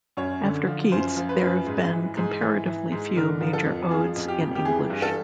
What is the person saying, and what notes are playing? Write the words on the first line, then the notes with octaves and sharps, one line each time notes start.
After Keats, there have been comparatively few major odes in English.
F#2 C#5
D3
F3
F#2 C5
F3
B4
F#2
G#2
E3
G#2
E3
E3
G#2
D3 A#4
F3
A4
F2
F3 G#4
F2
G4
F2
G4
E3 G#4
G2
A4